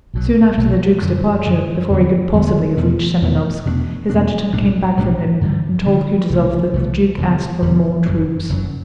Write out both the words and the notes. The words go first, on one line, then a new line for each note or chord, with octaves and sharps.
Soon after the duke's departure--before he could possibly have reached Semenovsk--his adjutant came back from him and told Kutuzov that the duke asked for more troops.
B1 B2 F#3
B1 B2 F#3
F#2 D3 F#3
F#2 D3 F#3
E2 D3 F#3 B3
E2 D3 F#3 B3
E2 B2 A3
E2 B2 A3
E2 B2 A3 D4
E2 B2 A3 D4
B1 A2 G3 D4
B1 A2 G3 D4
G2 D3 G3
G2 D3 G3
C2 B2 A3
C2 B2 A3
E1 E2 D3 G3
E1 E2 D3 G3
F#1 F#2 F#3
F#1 F#2 F#3